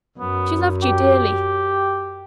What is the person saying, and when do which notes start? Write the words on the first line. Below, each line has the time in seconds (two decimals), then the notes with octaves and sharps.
She loved yo' dearly.
0.19 F#2 B3
0.83 G4